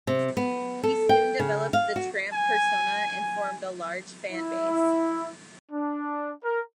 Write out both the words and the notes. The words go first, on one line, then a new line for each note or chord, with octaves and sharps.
He soon developed the Tramp persona and formed a large fan base.
C3
B3
A4
G5
C#3
F5
F#4
G#5
E4
D4
A#4